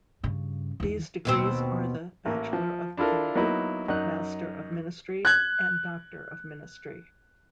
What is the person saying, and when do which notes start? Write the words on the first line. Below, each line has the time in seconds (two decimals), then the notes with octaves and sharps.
These degrees are the Bachelor of Divinity, Master of Ministry and Doctor of Ministry.
0.23 G2 C#3
0.80 E2 D#3
1.25 D#2 B2 C4
2.26 A1 A#3
2.53 F3
2.97 D4 E4 F4 A4 A#4
3.35 F#3 A#3 B3 D#4 E4
3.88 F#2 D#4 F#6
5.25 F#6 G#6